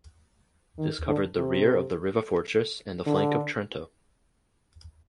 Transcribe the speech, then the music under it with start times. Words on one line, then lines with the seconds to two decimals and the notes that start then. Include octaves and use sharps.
This covered the rear of the Riva fortress and the flank of Trento.
0.79 D#3
1.08 D3
1.36 C3
3.06 D3